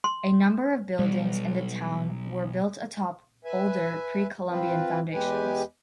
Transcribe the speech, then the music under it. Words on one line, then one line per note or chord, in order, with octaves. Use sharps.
A number of buildings in the town were built atop older Pre-Columbian foundations.
C6
B1 G3
B4 E5 G#5
C4 F4 B4
E2 G#3 G4 B4 G#5